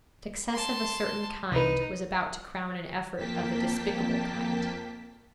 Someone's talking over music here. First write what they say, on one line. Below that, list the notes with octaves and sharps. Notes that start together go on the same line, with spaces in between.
Success of a certain kind was about to crown an effort of a despicable kind.
A5 C6
C2 D#4 B4
F2 A#3 G5 A5 B6